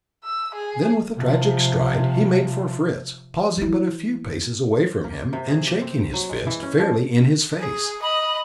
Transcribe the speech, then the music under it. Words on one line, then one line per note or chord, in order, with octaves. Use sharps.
Then, with a tragic stride, he made for Fritz, pausing but a few paces away from him, and shaking his fist fairly in his face.
E6
G#4
C3 F3
E3 E4
A#3
C3
G#4
G4
C4
F#3
G#3
E3
C#4
F3
G#4
D#5 B5